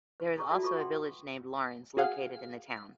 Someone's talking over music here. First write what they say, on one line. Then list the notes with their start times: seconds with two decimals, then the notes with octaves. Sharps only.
There is also a village named Laurens, located in the town.
0.20 B4
0.37 G#4 A4 A#5 C#6
0.49 F4 F#4 A4 D5 E5 A5
0.63 F4 A4 B4 C#6
0.76 F#5 G5 C6
1.97 F#4 G#4 F5 F#5